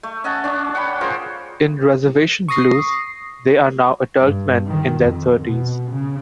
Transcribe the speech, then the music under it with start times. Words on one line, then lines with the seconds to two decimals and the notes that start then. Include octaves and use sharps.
In "Reservation Blues" they are now adult men in their thirties.
0.03 A3
0.24 C#4 D#5 F#5 A5
0.44 C#4 D4
0.75 F#5 G5 B5
1.01 F4 G#4 A#4 C5
2.48 C#6 D#6 A#6 C7
4.22 G2
4.68 D#3
5.03 F2
5.42 B2
5.90 C#3